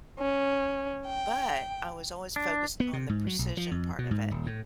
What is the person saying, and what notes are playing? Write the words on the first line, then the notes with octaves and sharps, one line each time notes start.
But, I was always focused on the precision part of it,
C#4
G5
D4
B3
C3
G#2
F#3
B1
F3
F2
B2
G#2
D#1
A2